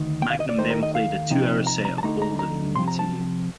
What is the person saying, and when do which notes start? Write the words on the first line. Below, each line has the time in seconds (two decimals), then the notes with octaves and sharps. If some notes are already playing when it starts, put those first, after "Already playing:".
Magnum then played a two-hour set of old and new material.
Already playing: D2 D#3
0.22 G5
0.30 F5
0.40 D#5
0.49 D5
0.58 D#2 D#3 A3 D#4 C5
0.70 A#4
0.83 D#5
0.95 F5
1.30 C3 F3 C4 D#4
1.67 A#5
1.85 A#5
1.98 A5
2.03 D2 D3 A3 D#4 A#5
2.22 A#5
2.39 A#5
2.75 F2 C3 F3 C6
2.88 A#5
2.99 A5